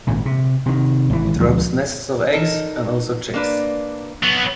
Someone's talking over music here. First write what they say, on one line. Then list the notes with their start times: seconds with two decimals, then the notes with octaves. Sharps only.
It robs nests of eggs and also chicks.
0.07 G#1 A#2
0.25 C3
0.66 C3 D#3
1.10 G#1 E3
1.40 D2 F3 G#3 A#3
2.33 D#4 A4 A#4
3.34 A#3 D4 B4
4.23 F#3 B3